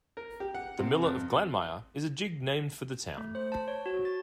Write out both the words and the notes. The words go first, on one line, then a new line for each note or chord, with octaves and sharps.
"The Miller of Glanmire" is a jig named for the town.
A#4
G4
F#5
C3
F2
A3
C5
A5
C#5
F#4
A6